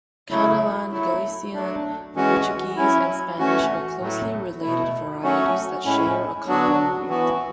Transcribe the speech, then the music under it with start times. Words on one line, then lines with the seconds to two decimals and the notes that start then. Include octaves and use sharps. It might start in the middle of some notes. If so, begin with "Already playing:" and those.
Catalan, Galician, Portuguese, and Spanish are closely related varieties that share a common root.
0.30 C#3 F#3 A3 E4
0.91 F#3 A3 E4
1.54 F#3 A3 D4
2.15 E3 G#3 C#4 F#4
2.76 F#3 C#4 E4
3.38 E3 A3 C#4 F#4
4.00 A2 F#3 A3
4.61 B2 A3 E4
5.23 F#3 A3 C#4 F#4
5.85 A2 G#3 C#4 E4
6.46 F#3 B3 D4 F#4
7.08 E3 B3 F#4